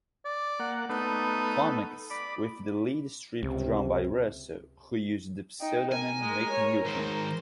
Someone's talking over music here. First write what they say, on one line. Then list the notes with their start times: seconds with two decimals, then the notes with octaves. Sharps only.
Comics, with the lead strip drawn by Russell, who used the pseudonym 'Mick Newton'.
0.25 D5
0.60 A#3 F#5
0.89 A3 B3 D#4
2.10 D5 B5
3.43 C#2 C3
5.61 D#4 G5
5.92 A#4 G#5 A#5
6.21 G#3
6.51 C#5
6.86 G#2 D#3 C5